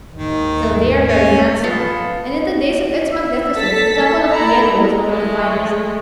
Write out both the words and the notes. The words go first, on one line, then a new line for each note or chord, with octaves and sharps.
Still they are very handsome, and in the days of its magnificence the Temple of Uyeno was one of the finest.
D#2 G#2 D#3
C#4
B3 F4 A4
E5
A4 A5 B6
E4 A#5
G#3 A3